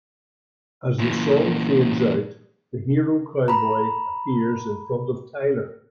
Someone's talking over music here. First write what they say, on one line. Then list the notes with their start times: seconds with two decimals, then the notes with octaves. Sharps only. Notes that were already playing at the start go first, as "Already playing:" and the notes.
As the song fades out, the hero cowboy appears in front of Tyler.
0.99 A#2 E3
3.48 A#5 B5